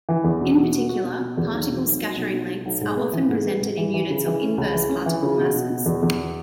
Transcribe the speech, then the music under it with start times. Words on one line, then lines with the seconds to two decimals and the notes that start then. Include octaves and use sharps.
In particular, particle scattering lengths are often presented in units of inverse particle masses.
0.09 E3
0.24 E2
0.40 B2
0.57 B2
0.72 F#4
0.89 F#4
1.05 B2
1.21 B2
1.37 E2
1.52 B1
1.69 B2
1.85 B1
2.02 F#3
2.17 B1
2.33 B2
2.50 B2
2.65 B1
2.81 G#2
2.97 B3
3.13 E3
3.29 G#2
3.45 B3
3.61 G#2
3.77 E3
3.94 E3
4.10 C#3
4.26 E3
4.41 C#4
4.58 C#2
4.74 E3
4.89 C#4
5.06 E3
5.23 C#3
5.38 B2
5.54 B2
5.70 B2
5.86 E2
6.03 E2